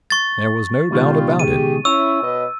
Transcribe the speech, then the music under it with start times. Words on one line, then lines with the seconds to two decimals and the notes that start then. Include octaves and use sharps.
There was no doubt about it.
0.10 C#6 A6
0.91 C#2 B2 D#3 G3 F4 G4
1.39 G4 G#4 D#7
1.85 C#4 E4 C#5 E6
2.23 B2 B4 D#5